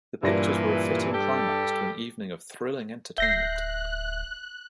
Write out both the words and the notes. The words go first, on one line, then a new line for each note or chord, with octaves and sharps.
The pictures were a fitting climax to an evening of thrilling entertainment.
G2 A#2 E3 D5 A#6
G3 G4 A4
D1 E5 F#6 G6 A#6 C7